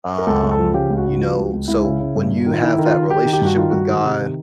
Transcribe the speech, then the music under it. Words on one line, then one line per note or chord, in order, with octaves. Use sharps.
um, you know, so when you have that relationship with God,
A#4
C#2 A4
C#2
A4
F3
C#3 G4
C#2
F#4
C#3
F3
C#2
C#2
C#2 E4
C#3
C#3
G2
G2
D#3
F4
D#3 E4
D#3
F4
D#3
D#3 G4
D#3
G4
G2 F#4
D#3 F4
G2 F#4
D#3
C3
D#3